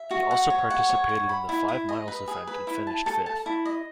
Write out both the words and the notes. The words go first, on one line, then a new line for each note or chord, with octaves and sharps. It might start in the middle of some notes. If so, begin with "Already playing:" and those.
He also participated in the five miles event and finished fifth.
Already playing: E5
F#4
F#5
C#5
F#5
C#5
F#5
B5
E4
E4
D#5
B4
G#4
B4
E4
A5
A4
A5
E4
D#5